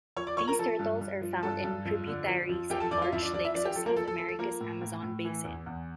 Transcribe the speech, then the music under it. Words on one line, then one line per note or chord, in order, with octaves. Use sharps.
These turtles are found in tributaries and large lakes of South America's Amazon Basin.
F3 C#5 C#6
D5 D6
F3 C#5 C#6
A#4 A#5
F3 A4 A5
G2
G2
F3
G2 A4 A5
G2
F2
D3
F3
F2
F2 G4 G5
A4 A5
F2 D5 D6
F4 F5
F2 E4 E5
D4 D5
F2 D4 D5
E4 E5
F3 D4 D5
G4
F3 A4
A#3 A#4
F3 A4
A4
F3 A4
A4
F3 A#3 A#4
A2
A2
A2
E3
E2
E2